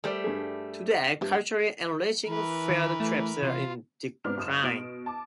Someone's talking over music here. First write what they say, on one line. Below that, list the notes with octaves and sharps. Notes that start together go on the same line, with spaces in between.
Today, culturally enriching field trips are in decline.
G3 A3 A#4 C5 D5
G2 G#4
G2 F3 G4 E5
E3 A#4 B4
D#3
A3
C3 F4
G#2 C3 B3 D4 D6 F6
F#1 D#6 E7
B2 D7
A5 D6